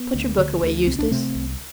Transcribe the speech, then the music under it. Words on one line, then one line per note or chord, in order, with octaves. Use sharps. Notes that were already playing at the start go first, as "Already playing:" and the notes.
Put your book away, Eustace.
Already playing: B3
D2
D3
D2
C2 C4
D4
C3 A3 C4
C2